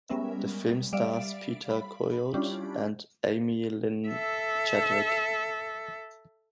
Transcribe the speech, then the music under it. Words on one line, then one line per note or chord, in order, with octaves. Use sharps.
The film stars Peter Coyote and Aimee Lynn Chadwick.
G3 G#3 B3 C#4 A#4 E5
G3 D5 E5 F5 D7
B5
G3 C#4 D4 E4 F4 G4
A4 E5